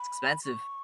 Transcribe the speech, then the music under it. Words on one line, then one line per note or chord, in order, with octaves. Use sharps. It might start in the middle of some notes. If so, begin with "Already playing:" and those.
It's expensive.
Already playing: B5
C#6